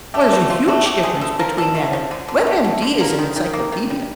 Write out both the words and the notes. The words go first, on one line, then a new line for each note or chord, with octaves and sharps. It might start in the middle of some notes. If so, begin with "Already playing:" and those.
Well, there's a huge difference between that and WebMD is an encyclopedia.
A3 G4
D3 F#4
F3 F4
A3 F#4
A3 G4
D3 G#4
D3 A4
F3 A#4
D3 A4
A3
F3
D3
D3
A3
A3
D3
A#3 A#4
D#3
D#3
A#3
D#3
G3